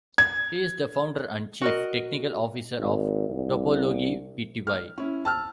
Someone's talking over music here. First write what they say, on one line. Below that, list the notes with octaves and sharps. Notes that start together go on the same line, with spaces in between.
He is the founder and Chief Technical Officer of Topologi Pty.
G#6
F#4 A#4 D#5
G#1
C2
F6
C#4 E4
A5 E6 F6